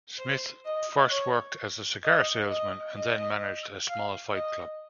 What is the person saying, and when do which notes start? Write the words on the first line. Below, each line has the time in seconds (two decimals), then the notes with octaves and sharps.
Smith first worked as a cigar salesman, and then managed a small fight club.
0.18 C5
0.65 D#5
1.10 C#5
2.03 D#5
2.49 D#5
2.95 D#5
3.88 F5
4.33 D#5